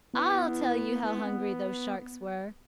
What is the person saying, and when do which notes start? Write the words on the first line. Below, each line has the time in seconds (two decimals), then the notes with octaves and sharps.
I'll tell you how hungry those sharks were.
0.14 B3 E4
1.03 B3 E4
1.19 C4